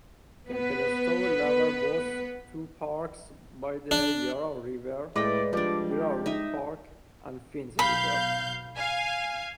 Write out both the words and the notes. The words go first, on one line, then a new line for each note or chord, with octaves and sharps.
Templestowe Lower boasts two parks by the Yarra River, Birrarung Park and Finns Reserve.
B3 B4
D4
A2 G#3 B4 D5 G5 D6 A#6
F3 G3 D4 D5
G4
D#4 D#5 E5
B1 F5 B5 G6
F5 G#5